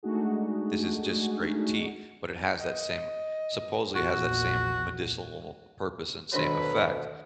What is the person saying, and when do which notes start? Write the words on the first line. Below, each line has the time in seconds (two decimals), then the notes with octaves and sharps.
This is just straight tea, but it has that same, supposedly has that same medicinal purpose and same effect.
0.03 G#3 A3 D4 D#4 F#4 G#4
2.61 D#5
3.95 A#1 E2 A#2 F#4
6.33 D2 B2 D#3 F#3 D4 B4 C5